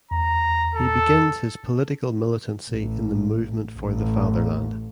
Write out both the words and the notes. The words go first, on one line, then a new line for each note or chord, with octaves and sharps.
He begins his political militancy in the Movement for the Fatherland.
E2 A#5
A4
A1
A1